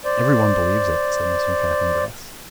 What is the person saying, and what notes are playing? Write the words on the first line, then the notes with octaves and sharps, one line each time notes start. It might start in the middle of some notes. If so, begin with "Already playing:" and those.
"Every one believes it," said Mr. Chaffanbrass.
C5 D5